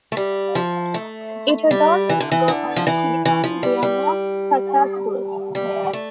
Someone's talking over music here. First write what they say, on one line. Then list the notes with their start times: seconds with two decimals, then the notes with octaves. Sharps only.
It would also go on to become their most successful.
0.12 A3
0.17 G3
0.55 F3
0.94 A3
1.71 G3
2.09 E3
2.20 D3
2.31 E3
2.48 D3
2.76 F3
2.87 E3
3.25 E3
3.44 F3
3.63 G3
3.83 G3
5.55 G3
5.93 A3